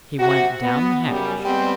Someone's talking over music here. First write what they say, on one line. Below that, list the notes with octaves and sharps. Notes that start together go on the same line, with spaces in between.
He went down the hatch.
C3 F#4
B3
F#2 C#3 G3
G3 G#3 B3 C4